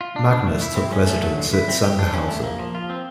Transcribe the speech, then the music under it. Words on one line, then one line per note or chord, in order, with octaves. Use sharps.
Magnus took residence at Sangerhausen.
F4
D4
D4
A3
E4
C4
C#4
A3
F#3
D3
E4
C4
G4
D4
C#4
A3
A#3
F3
F4
C4